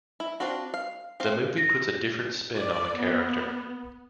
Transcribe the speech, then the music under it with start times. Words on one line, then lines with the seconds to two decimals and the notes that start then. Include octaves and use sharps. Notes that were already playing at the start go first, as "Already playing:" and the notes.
The movie puts a different spin on the character.
0.20 E4
0.40 C4 D4 F4 F#4
0.74 F5
1.20 C4 F4 F5
1.58 A#6
2.55 D5
2.97 B3